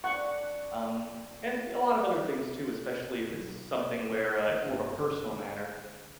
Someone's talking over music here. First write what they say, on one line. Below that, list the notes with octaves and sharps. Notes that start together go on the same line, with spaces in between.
Um, and a lot of other things too, especially if it's s something where, uh, it's more of a personal manner.
F2 D4 F#5 C#6
E5
B1
G1
D3